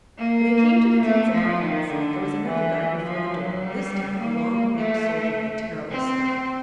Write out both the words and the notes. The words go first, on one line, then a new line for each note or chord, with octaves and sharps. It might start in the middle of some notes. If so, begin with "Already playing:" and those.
When they came to the King's apartments there was another guard before the door, this time a long-necked soldier with a terrible scowl.
A#3
A3
F3
D#3
D3
E3
F3
F#3
G3
A#3
A3
C4